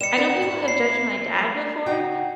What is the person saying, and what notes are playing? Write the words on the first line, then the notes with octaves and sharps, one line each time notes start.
I know people have judged my dad before
G3 D5 D#5 C#7 E7
D3 A#4 G5
G#2 E4
C7
C#3 F#4 G5